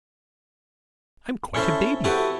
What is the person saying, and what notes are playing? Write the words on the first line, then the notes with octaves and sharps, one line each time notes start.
I'm quite a baby.
C#4 E4 A4 C5 E5
C4 E4 F#4 G4 A4 B4